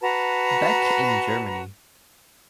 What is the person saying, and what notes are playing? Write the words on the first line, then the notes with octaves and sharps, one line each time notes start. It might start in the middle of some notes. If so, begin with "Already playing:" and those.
Beck in Germany.
F#4 B4 A5 A#5